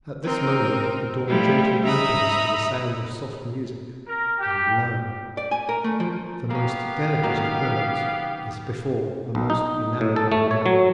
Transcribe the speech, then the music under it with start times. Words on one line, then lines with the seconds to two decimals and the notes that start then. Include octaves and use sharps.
At this moment the door gently opens to the sound of soft music, and lo! the most delicate of birds is before the most enamored of men!
0.24 C4 D#4 A#4
1.27 F3 G3 A3 E4
1.83 D#4 E5 A#5 B5 D#6
4.07 A#4
4.39 G4
5.37 D5
5.51 G#5
5.69 A#4
5.84 A3
6.00 F3
6.50 A#3 B3 C#4 G4 F5
7.23 D#3 F#3 A#3
9.35 B1
9.50 D#4
10.01 A2
10.16 A4
10.32 A3
10.51 C#5
10.66 F#3